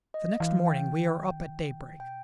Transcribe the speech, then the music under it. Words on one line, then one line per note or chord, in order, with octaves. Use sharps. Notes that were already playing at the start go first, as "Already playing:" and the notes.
The next morning we are up at daybreak.
D#5
E3 F5
G5
D#3
B2 G5